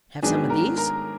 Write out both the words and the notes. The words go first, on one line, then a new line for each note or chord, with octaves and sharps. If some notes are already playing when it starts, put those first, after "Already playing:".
"Have some of these?"
G#2 D#3 F#3 B3 D4 G#4 G#5
A#4 A#5
A#4 A#5